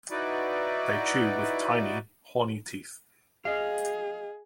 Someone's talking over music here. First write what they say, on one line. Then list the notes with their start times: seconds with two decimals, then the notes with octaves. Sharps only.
They chew with tiny, hornyteeth.
0.11 D#4 E4 F#4 B4 D5
3.45 G#4 D#5 F5